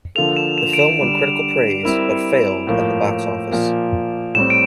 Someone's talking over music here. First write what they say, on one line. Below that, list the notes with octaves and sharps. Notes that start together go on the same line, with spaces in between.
The film won critical praise but failed at the box office.
D3 F3 A#3 F4 A4 F7
E7
E7
D7
E7
D3 G3 D4
G3 C4 E4 A#4
A2 F3 A#3
A#2 F3 A#3
A2 G3 C4 E7
D7